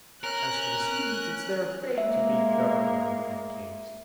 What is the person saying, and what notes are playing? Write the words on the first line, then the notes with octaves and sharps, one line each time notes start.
As for the Swedes--it is their fate to be governed by mad kings.
C#4 A#4 F#6
G#3 A#3 E5